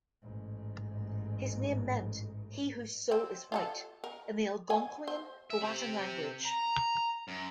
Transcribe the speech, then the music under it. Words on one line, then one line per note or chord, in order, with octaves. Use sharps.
His name meant "He whose Soul is White" in the Algonquian Powhatan language.
A1 G#2
C4
F4 G4 A4
A#4
G#5
C5
E5
C4 G4
A#5
F#2